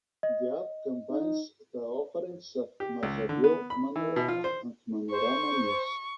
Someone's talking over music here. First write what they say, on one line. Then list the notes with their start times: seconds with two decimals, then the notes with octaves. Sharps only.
The app combines the offerings of Mazhavil Manorama and Manorama News.
0.23 D#5
1.10 D#4
2.80 G4
3.03 C#2
3.29 D3
3.44 B3
3.70 B5
3.96 E3
4.16 B2
4.28 F4
4.44 C5
5.12 C5 C#6